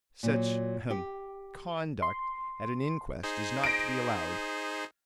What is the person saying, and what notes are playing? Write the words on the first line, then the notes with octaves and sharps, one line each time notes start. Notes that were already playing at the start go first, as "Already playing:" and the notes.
Such--ahem! conduct at an inquest is not to be allowed.
A#2 F#3
G4
C6
D#4 G#4 C5
A#6 D7